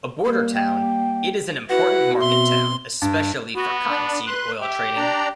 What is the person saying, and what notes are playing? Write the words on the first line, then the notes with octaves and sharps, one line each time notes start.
A border town, it is an important market town, especially for cottonseed oil trading.
G3 A#3 A#4
G5
E4 F#4 B4 F#5
B2 C4 E5 C6
G2
B3 F#4
D4 D5
B4 C6 F#6
G4 E5
D4 D5 A#5